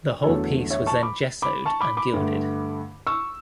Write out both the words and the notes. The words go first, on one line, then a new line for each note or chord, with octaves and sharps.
The whole piece was then gessoed and gilded.
E2 D3 F#3 A3 A4 C#5
C#5 E5
A5 C#6
B5 D6
B5 D6
A5 C#6
B5 D6
B5 D6
G2 D3 A3
C#6 E6